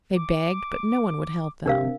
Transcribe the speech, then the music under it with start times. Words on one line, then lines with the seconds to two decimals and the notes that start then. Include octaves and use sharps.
They begged, but no one would help them.
0.16 D6
1.66 C3 D4 A#4 F5